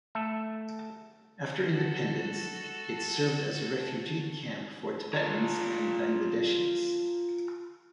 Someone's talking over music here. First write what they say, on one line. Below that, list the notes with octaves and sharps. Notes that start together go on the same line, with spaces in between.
After independence, it served as a refugee camp for Tibetans and Bangladeshis.
A3 A4 E5
F#4 A4
F4 A5 A#5